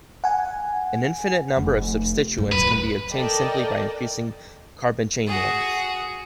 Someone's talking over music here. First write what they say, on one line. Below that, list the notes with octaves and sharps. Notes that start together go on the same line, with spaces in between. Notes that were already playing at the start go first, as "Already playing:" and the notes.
An infinite number of substituents can be obtained simply by increasing carbon chain length.
F#5 G#5
F1
F#2 A2
D1 A#1 B4
A4 A#4 D5 D#5 G5 A5
F#4 G#4